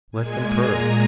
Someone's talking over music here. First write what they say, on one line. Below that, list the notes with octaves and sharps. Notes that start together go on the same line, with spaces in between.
Let them purr.
A#2 G#3 G#5
A#5